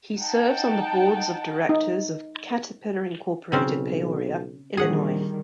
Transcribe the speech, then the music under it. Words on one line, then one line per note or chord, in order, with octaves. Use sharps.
He serves on the boards of directors of Caterpillar Incorporated Peoria, Illinois.
D#4 F#5 G5 A5
D#4
B1 C#3 C4 C#4
A#1 D3 D#3 G3 G#4 F#5